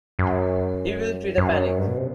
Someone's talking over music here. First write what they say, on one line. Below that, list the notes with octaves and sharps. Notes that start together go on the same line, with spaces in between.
He will create a panic.
F#2
F#2
G2
B2
C3